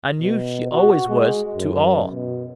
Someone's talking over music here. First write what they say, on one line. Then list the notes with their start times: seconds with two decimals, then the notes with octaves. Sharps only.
I knew she always was, to all.
0.20 B2
0.72 F#4
1.08 G#3
1.55 F#2
2.11 B2